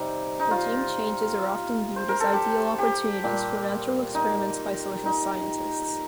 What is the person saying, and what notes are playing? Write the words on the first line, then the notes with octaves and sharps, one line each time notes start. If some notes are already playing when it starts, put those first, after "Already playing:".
Regime changes are often viewed as ideal opportunities for natural experiments by social scientists.
Already playing: C3 G3 D#4
D#4
F4
C5
A#4
A4
G4
G4
A#2 G3
D#4
D#4